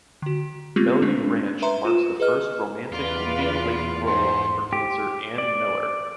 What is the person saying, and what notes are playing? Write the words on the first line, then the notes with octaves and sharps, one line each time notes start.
"Melody Ranch" marks the first romantic leading lady role for dancer Ann Miller.
D3 F#4
G#3 A3 B3 C4 F4 G4
G#3 C#4 D4
B4 E5 A#5 C6
F4 D#7 E7
G#4 B4 D#5 F6
E2 F4 B4 D5 F5
G#2 D#4 C5 C6
G4
D5